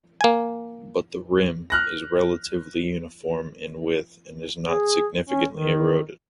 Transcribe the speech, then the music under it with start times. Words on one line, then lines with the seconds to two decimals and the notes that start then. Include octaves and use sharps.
But the rim is relatively uniform in width and is not significantly eroded.
0.21 A#3 G#5
1.70 F6 F#6 A#6
4.68 G#4
5.29 C#4
5.54 D#3